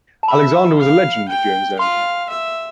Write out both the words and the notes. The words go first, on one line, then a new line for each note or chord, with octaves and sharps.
Alexander was a legend during his own time.
A5
E5 B5
F5
G5
F5 C6
E5